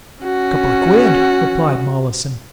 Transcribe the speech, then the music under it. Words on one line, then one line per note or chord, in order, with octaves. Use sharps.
"Couple o' quid," replied Mollison.
C#4 F#4